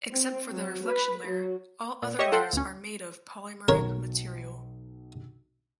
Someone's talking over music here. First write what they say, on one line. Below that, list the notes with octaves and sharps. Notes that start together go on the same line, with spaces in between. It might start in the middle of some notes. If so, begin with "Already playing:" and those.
Except for the reflection layer all other layers are made of polymeric material.
C4
F#3
B4
F#3
A#2
G4 C#5 D#5 E5 C#6 D#6
F4 A4 F#5 G5 C6
D2 C#4
B1 A#4 C#5